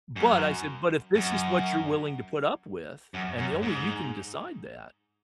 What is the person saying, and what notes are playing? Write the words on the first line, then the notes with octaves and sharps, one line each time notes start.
but I said, but if this is what you're willing to put up with, and the only you can decide that.
F#2
F#2
F#2
F#2
G#2